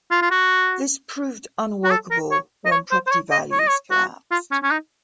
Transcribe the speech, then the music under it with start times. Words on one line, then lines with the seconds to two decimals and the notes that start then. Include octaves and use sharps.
This proved unworkable when property values collapsed.
0.11 F4
0.22 F4
0.31 F#4
1.84 F#4
1.91 A4
2.11 A#4
2.31 C#5
2.66 D#5
2.71 C#5
2.91 C5
3.07 C5
3.11 C#5
3.31 D#5
3.52 C#5
3.59 D#5
3.68 C#5
3.91 F#4
4.31 F4
4.52 C#4
4.63 C#4
4.71 D#4